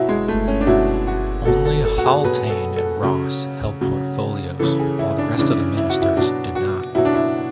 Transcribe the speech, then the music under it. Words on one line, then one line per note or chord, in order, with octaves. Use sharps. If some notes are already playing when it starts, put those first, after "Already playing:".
Only Haultain and Ross held portfolios while the rest of the ministers did not.
Already playing: B2 F#3 E4
G#3
A3
C#4
D4
B2 F#3 E4
F#4
B2 F#3 A4
A4
A4
F#4
G#4
B2 F#3 B4
A4
A4
C#3 F#3
C#3 F#3
C#3 E3 A4
G#4
E4
D4
C#3 E3 D4
E4
F#4
E4
B2 F#3 D4
F#4
B2 F#3 E4
D4
E4